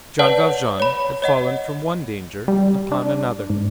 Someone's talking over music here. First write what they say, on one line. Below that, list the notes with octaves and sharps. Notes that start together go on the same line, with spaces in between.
Jean Valjean had fallen from one danger upon another.
B4 C#5 D5 F#5 A5
C#5 B5
C#5 D#5 F#5
G3
D4
G#2